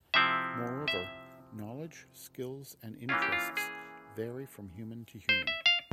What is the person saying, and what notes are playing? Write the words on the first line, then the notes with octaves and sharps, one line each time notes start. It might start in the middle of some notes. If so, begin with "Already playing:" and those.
Moreover, knowledge, skills and interests vary from human to human.
C3 F3 C4 E4 E5
E5
E3 A#3 C#4 E4 F4
G4
F4
G#4
C5
E5
F5